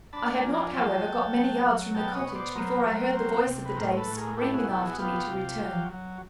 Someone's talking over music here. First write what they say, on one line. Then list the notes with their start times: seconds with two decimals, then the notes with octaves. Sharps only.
I had not, however, got many yards from the cottage before I heard the voice of the dame screaming after me to return.
0.13 D4 A5 B5
0.33 G#5 A#5
0.43 F3
0.53 G#5 A#5
0.74 F#3 G5 A5
1.04 F#3
1.35 F#3
1.65 F#3
1.94 B2 G5 A5
2.15 C#5 D#5
2.25 B2
2.35 C5 D5
2.55 F#3 A#4 C5
2.86 F#3
3.17 C4
3.47 C3
3.65 B4
3.76 A2 A#4 C5
3.97 A4 B4
4.08 A2
4.17 G#4 A#4
4.37 E4 G4 A4
4.53 F#4 G#4
4.68 B2 G4 A4
4.83 F#4 G#4
4.99 B3 F4 G4
5.29 C3
5.58 F#3
5.89 F#3